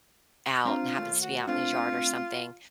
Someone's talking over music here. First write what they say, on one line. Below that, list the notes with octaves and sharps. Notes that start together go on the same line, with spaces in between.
out and happens to be out in his yard or something.
C4 D4 F4 A#5
D#2 A3
F#4
A3 C4 D4 F4